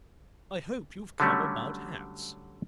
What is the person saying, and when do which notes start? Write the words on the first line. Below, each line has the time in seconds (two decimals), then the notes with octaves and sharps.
I hope you've come about hats.
1.20 D3 F#3 G3 A3 C#4